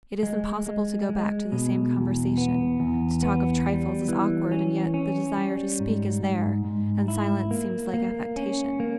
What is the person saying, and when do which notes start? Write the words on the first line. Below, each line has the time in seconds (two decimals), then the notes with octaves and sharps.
It is impossible to go back to the same conversation, to talk of trifles is awkward, and yet the desire to speak is there and silence seems like affectation.
0.23 G#3
0.67 G#3
1.09 G#3
1.52 B2
1.95 E2
2.38 B3
2.80 E2
3.23 B3
3.66 G3
4.08 E3
4.52 C#4
4.94 C#4
5.37 G3
5.80 G#2
6.23 G#2
6.65 G#2
7.08 E4
7.51 A#3
7.94 A#3
8.36 C#4
8.80 A#3